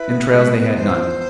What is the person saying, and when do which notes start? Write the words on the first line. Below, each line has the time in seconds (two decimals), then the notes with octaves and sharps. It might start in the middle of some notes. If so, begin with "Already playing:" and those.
Entrails they had none.
Already playing: E4 B4
0.10 B3
0.32 G#3
0.53 B3
0.75 E2 C5
0.96 F3